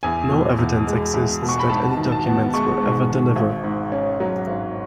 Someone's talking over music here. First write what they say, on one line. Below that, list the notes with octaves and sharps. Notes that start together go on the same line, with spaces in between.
No evidence exists that any documents were ever delivered.
E2 G#5
B2
E2
G#3
E2
B2
C#6
B5
G#2 A5
D#3
A5
B3
G#3 C#6
G#2
D#3
G#1
G#2
C#4
F#3
G#1